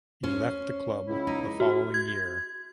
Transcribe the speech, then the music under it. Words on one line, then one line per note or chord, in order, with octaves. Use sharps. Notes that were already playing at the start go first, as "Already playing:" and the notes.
He left the club the following year.
C#4 C5
C#2 E4
D#4
F#4
G#6